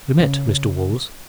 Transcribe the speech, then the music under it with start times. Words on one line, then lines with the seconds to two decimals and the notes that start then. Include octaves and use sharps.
We met Mr. Woolls.
0.19 C#3